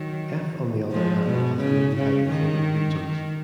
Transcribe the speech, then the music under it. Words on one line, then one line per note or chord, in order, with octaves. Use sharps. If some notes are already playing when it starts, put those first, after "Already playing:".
F on the other hand has mainly hydrophobic regions.
Already playing: D#3 F#3
F3 G#3
B2
C#3
C#3
D#3
D#3